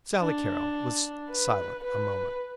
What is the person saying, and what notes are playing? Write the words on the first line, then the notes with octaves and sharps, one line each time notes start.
Sally Carrol was silent a moment.
D4
B4
B4